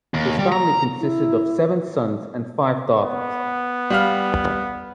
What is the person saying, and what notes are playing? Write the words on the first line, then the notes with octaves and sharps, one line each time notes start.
His family consisted of seven sons and five daughters.
D#2
G3
A#5
E4
B3
G3 F5 F6